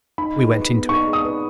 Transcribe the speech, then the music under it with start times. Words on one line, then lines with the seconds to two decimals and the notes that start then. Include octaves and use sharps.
We went into it.
0.18 D#4 B5
0.36 G#4
0.53 B4
0.72 B3
0.89 D#4 C#6
1.08 G#4
1.13 D#6
1.25 B4